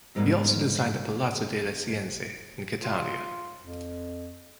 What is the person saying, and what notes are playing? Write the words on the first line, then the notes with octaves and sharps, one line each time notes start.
He also designed the Palazzo delle Scienze in Catania.
F2 G#2 G3 G#3 A#3 B3
F4
F2